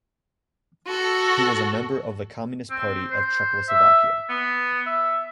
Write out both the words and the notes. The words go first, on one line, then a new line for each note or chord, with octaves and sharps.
He was a member of the Communist Party of Czechoslovakia.
F#4 A4
C4
C5
E5
B3
E5